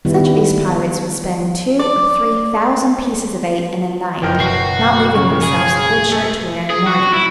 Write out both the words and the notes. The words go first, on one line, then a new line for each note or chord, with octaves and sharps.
Such of these pirates will spend two or three thousand pieces of eight in a night, not leaving themselves a good shirt to wear in the morning.
D#3 G3 B3 E4
D5
F#1 E3 F3 A#4 G5 B5
B2 F#4 C7
C#3 C#6
G#4
A3
G#4
F#4
E4